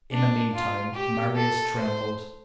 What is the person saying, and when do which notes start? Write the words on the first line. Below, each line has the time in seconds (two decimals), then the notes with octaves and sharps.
In the meantime, Marius trembled.
0.13 D4
0.54 F4
0.94 G4
1.35 A4
1.77 C5